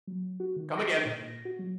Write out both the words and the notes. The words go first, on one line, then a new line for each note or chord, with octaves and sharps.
come again."
F#3
F#4
D#3
A#6
A#2
A#6
F#4
F#3